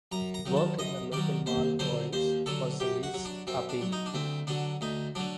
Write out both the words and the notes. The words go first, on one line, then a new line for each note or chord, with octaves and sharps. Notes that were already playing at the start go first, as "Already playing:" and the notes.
Work in the local Marl quarries was the least appealing.
F#2 A#5
A#5
D#3 F#3
A5
F#2 D#5
D#3 F#3 D5
D#2 C5
D3 F#3 C5
D#2 C5
D3 F#3 A4
F#2 G4
F#4
F#3
D4
F#2 C4
D4
F#3
D#4
D4
D2 C4
D3 F#3 D4
D2 D#4
D3 F#3 D4